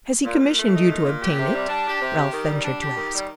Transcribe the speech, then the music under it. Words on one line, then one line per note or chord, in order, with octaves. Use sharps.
"Has he commissioned you to obtain it?" Ralph ventured to ask.
A#2
A#2
A3
D#4
A#2
A#2
G4
C3
G3
D4
G4
C3
G4
D#3
G3
D4
G4
D#3
G3